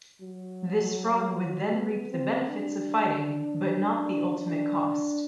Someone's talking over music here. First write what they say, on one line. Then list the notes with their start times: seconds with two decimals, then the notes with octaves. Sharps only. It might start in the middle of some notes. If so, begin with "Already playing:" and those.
This frog would then reap the benefits of fighting, but not the ultimate cost.
0.21 F#3
1.72 B3
2.10 C4
2.48 D4
3.99 D4
4.37 D4